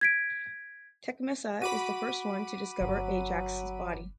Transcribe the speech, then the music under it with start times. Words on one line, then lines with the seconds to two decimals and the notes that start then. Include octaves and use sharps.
Tecmessa is the first one to discover Ajax's body.
0.01 G#6 B6 D7
1.62 F#4 B5 D6 D#7
2.80 G1 F#3